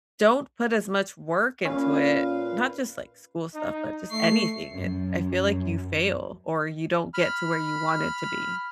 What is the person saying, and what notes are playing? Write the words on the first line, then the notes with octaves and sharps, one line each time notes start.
don't put as much work into it, not just, like, school stuff, but just anything, it I feel like you fail or you don't get to where you wanted to be.
A#2 C#4 B4 F5
D#4
A3 C#6 C7
F#2
B5 F6